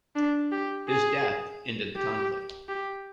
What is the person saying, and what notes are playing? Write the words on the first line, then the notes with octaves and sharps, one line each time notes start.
His death ended the conflict.
D4
G4
G#4
G4
G4